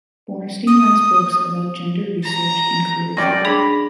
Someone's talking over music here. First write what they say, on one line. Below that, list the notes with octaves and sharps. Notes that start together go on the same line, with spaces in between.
Bornstein writes books about gender research and queer theory.
D#6
A#5
F#2 D5 G5 A#6
D4 G#4 B5